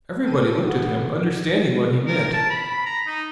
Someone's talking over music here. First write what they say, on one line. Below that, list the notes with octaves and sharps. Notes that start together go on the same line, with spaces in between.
Everybody looked at him, understanding what he meant.
A4 G5 D#7
E3 B3
A#4
A5
B5
A#5
D#4